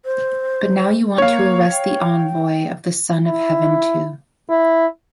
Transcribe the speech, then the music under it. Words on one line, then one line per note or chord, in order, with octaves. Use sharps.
But now you want to arrest the envoy of the Son of Heaven too.
C5
A#3 C#5 F5
G5
E4
E4